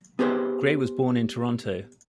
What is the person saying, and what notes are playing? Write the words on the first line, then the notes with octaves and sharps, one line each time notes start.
Gray was born in Toronto.
B3 G4 G#4 B4 C5